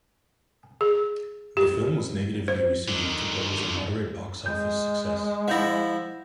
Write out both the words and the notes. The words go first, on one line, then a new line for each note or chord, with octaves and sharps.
The film was negatively received but was a moderate box office success.
G#4
G4
C5
D3 D#3
G#3 G6
F3 E4 F#5 G6 A#6